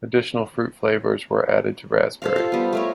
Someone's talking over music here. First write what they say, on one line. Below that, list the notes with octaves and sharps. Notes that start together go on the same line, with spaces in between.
Additional fruit flavours were added to raspberry.
A4 C5 F5
F4 G4
G3 B3
A3 A#4 C#5